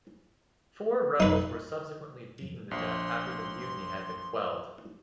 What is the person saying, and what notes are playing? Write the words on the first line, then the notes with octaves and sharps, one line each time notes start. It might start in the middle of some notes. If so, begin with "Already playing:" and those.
Four rebels were subsequently beaten to death after the mutiny had been quelled.
D#4 B4
A#1 C6